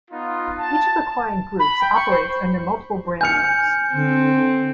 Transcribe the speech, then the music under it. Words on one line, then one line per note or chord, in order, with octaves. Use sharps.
Each of the client groups operates under multiple brand names.
B3 D#4 F4
A5
B5
G5
C#6
C5
G#5 F6 G6 C#7
D3 C4